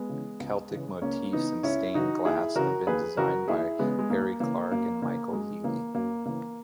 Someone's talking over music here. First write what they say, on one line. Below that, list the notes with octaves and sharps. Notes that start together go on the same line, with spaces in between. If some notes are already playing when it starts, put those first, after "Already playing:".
Celtic motifs and stained glass have been designed by Harry Clarke and Michael Healy.
Already playing: G#3 B3
C#3 E3
C#2
C#3 E3
C#2 A#3 C#4
C#3 E3 B3 D#4
C#2 C#4 E4
C#3 E3 D#4 F#4
D#2 E4 G#4
C#3 E3 F#4 A#4
D#2 G#4 B4
C#3 E3 F#4 A#4
D#2 E4 G#4
C#3 E3 G#3 B3
G#3
D#2 A#3
C#3 E3 A#3
F#2 A#3
C#3 E3 A#3
F#2 G#3
C#3 E3 A#3
F#2 A#3
C#3 E3 A#3